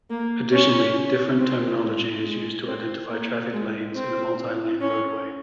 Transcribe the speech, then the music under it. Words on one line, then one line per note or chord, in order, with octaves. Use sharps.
Additionally, different terminology is used to identify traffic lanes in a multi-lane roadway.
A#3
C#4
C4
G#3
G#3
C4
A#3
G#3
C4
C#4